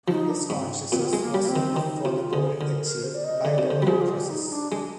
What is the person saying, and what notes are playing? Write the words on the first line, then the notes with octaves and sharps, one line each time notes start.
This consciousness was enough for the goal achieved by the world process.
F3 D#4
D4
G#2 C4
A#2 C4
A#3
C4
G#3
A#3
G3
A#3
C4
D#3
D#3 D#4
C3 F4
D3 G#4
D3 A#4
A#4
C5
D5
D#5
D3 D5
C3
D3 C5
G3
F3 G#4
F4
G4
D#4
D4
G#3 D4